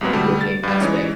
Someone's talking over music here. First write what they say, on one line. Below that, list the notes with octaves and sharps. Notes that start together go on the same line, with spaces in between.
video game aspect,
C2 G#2 C3 F#3 A#3 B3
B2 D3 G3 A3
A6
G2 G3
E3 G#3 C#4 D#4 C#5